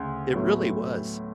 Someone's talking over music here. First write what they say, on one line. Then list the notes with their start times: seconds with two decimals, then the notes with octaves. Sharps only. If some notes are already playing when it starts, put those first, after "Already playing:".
It really was.
Already playing: D2 C#3
0.34 A2 F#3 B3